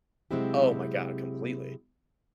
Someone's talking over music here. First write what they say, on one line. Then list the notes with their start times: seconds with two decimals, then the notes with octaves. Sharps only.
Oh my god, completely.
0.31 C3 F#3 G#3 C4 E4 G4